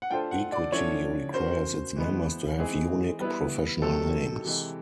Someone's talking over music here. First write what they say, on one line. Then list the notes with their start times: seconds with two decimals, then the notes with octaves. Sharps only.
Equity requires its members to have unique professional names.
0.02 F#5
0.11 A3 D4 F4 A4 C5 G5
0.31 F#5
0.53 D5
0.72 D3 F3 A3 C#4 E4 C#5
1.34 A#3 C#4 F#4 A#4 C5
1.96 E3 G#3 B3
2.58 E3 G#3 C4 D#4 G#4
3.20 G3 B3 E4 B4
3.82 C3 D#3 F#3 A3 A4
4.44 C3 E3 G#3